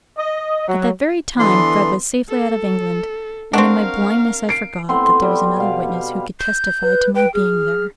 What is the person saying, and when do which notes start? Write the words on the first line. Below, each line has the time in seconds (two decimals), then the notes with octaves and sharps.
At that very time Fred was safely out of England, and in my blindness I forgot that there was another witness who could testify to my being there.'
0.18 D#5
0.68 F#3
1.38 D3 E3 B3 C6
2.28 A4
3.53 C4 D4 A#4 F5 F#5 C#6
4.49 C7 D7
4.89 A2 B3 C4 C6
5.22 G3
5.57 B2 F5
6.39 G6
6.82 B4
7.15 B4 G5
7.34 G#4 F6